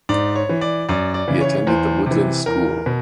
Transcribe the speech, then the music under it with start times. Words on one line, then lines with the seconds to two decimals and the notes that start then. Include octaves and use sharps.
He attended the Woodlands school.
0.09 G#2 D5
0.36 C#5
0.49 E3
0.61 D5
0.89 F#2 D5
1.14 D5
1.28 C#3 E3
1.41 C#5
1.67 E2 C5
2.06 C3 E3
2.46 E2 A#4
2.86 B2